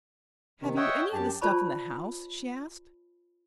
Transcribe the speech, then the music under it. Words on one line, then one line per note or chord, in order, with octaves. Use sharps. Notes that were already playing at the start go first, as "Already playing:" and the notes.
"Have you any of the stuff in the house?" she asked.
C3 D#3
C#5 D#5 E5 F#5 G5
F#2 G4 A5
F4 C5 D5 A5 B5 C#6